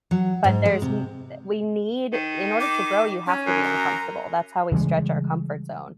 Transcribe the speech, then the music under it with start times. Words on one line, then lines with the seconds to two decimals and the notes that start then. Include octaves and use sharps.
But there's n we need in order to grow, you have to be uncomfortable, that's how we stretch our comfort zone.
0.11 F#3
0.44 G#2
0.66 G#3
0.82 C3
2.13 D#3
2.60 D6
3.26 C#4
3.46 F#2
3.64 A#5
4.72 C#3 E3 G3 G#3